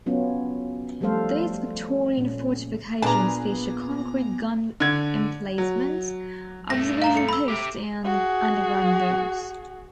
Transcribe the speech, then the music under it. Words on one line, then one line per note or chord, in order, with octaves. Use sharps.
These Victorian fortifications feature concrete gun emplacements, observation posts and underground rooms.
F#3 B3 C#4 F4
F3 G3 A3 A4 C5 F5
A#2 C#4
A#2 B3 D4 G#4 B4 A5 A#5
D3 G#6
F#3
G2 A3 A#6
F5 A#5 E7
A4 C#7
B5 E6
G4 E5 G5
F#4 G#4